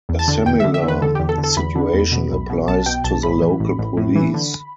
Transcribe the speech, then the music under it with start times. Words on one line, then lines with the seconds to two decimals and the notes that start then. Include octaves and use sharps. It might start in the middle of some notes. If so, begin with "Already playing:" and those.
A similar situation applies to the local police.
0.09 E2
0.19 A5
0.28 D3
0.46 E2 G5
0.60 D3 E5
0.74 E5
0.83 E2
0.88 B4
1.02 D3 A4
1.15 E2 G4
1.29 A4
1.38 D3
1.44 A4
1.57 E2 B5
1.75 D3
1.93 E2
2.12 B2
2.31 B1
2.50 B2
2.68 B1 A5
2.86 B2 G5
3.04 B1 A5
3.23 A2 B5
3.42 E3
3.60 A1
3.79 A1
3.97 A2
4.16 E3
4.34 D3